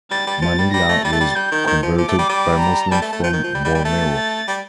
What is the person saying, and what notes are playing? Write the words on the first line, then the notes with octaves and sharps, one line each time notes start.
Manila was converted by Muslims from Borneo.
G3 A6
G3
F3 A6
G3
G3 A#6
A3
G3 A6
A3
G3
G3 G6
D#3
D#3
F3
F3 D6
A3
G3
G3
A#5
G3 A5
A3
A3
F3 G6
D#3
F3
G3
G3
G3
A3 A6
A6
G3